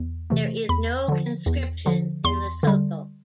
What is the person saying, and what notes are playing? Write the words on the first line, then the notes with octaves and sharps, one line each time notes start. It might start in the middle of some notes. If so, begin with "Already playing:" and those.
There is no conscription in Lesotho.
Already playing: E2
C3 E3 A3
E2 B5
D3 F3
E2
D3 F3
E2 C6
D3 G3